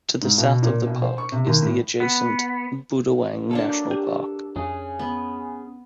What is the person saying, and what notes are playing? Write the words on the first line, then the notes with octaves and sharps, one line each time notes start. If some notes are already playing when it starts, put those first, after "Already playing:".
To the south of the park is the adjacent Budawang National Park.
G#2
B2
A#2
B2
C5
C#6
C3
D#2
A2
B3
F#3 A#3 D4 A4
G4
F2 C#4 G#4
B3